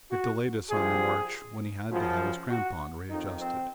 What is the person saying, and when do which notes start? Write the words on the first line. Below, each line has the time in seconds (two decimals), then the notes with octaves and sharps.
It delayed us on the march, when he had to have his crampon readjusted.
0.10 F#4
0.70 C2 C3 F3 G#4
1.89 F#2 C#3 F3
2.49 F#4
3.09 F2 D#3 D#4
3.39 C4